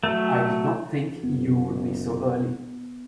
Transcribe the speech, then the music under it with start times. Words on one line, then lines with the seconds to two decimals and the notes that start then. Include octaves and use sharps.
I did not think you would be so early.
0.04 F#3 A3
1.24 F#1 B3